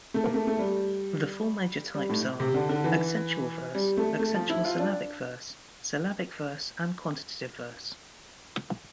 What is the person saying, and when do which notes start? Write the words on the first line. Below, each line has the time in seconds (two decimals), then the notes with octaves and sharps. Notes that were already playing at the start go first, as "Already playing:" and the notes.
The four major types are: accentual verse, accentual-syllabic verse, syllabic verse and quantitative verse.
0.14 A3
0.24 A#3
0.34 A3
0.47 A3
0.59 G3
1.95 G3
2.09 A2
2.40 C3
2.54 D3
2.69 D3
2.84 E3
3.75 G3
3.97 A3
4.19 A3
4.34 F3
4.50 E4
4.65 F4
4.80 D4